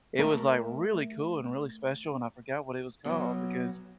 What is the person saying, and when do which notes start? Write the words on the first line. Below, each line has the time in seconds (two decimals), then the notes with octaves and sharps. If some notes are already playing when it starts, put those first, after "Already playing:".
it was, like, really cool and really special, and I forgot what it was called, because
0.19 A3 A#4 E5 A5
3.06 B2 F#3